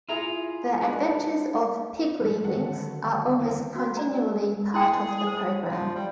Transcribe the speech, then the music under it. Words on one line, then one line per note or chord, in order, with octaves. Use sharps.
The Adventures of Piggley Winks, are almost continually part of the programme.
E4 F4 G#4 A#5
G#3 D4 B4
A2 F3 G3
D3 D#3 F#3 F#4 A4 F#5
E2 C4
F#4
D5 A#5
E4 G#4 G5
C5
F3
G3